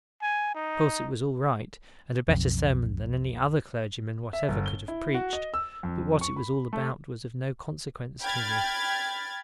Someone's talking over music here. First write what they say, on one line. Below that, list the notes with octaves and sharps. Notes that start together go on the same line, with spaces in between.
Of course it was all right, and a better sermon than any other clergyman whatever could have preached, but what it was all about was of no consequence to me.
G#5
D#4
B1 F2
E5
G1
G7
E4
F#4
D#5
E6
F2
C#6
B5
A3
G5 B5 F6 G#6 A6